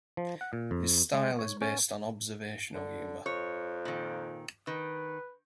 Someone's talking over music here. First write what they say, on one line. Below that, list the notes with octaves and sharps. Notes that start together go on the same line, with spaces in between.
His style is based on observational humour.
F3
F#5
A#2
F2
G#3
C#5
C#4
D3
F2 C#5
A#2 D#3
D#3 B4